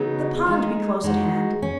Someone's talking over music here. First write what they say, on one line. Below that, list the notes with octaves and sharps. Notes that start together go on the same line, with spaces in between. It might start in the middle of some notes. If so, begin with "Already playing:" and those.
The pond be close at hand.
Already playing: C#3 F#3 B3 D#4
G#3 D#4 G#4
G#3 D#4 F#4
C#4